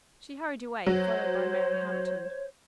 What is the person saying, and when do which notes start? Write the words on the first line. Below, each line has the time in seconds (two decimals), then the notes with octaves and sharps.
She hurried away, followed by Mary Hampton.
0.86 F#3 C5 C#5